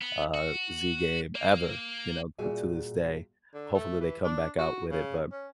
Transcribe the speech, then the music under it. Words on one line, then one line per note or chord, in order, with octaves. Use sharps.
uh, Z game ever, you know, c to this day. Hopefully, they come back out with it, but
B3
F#4
A#3
A#2 G3 F#4 G#4 E5 G#5
D3
A3
E3
D4
F#4
C#3
C#4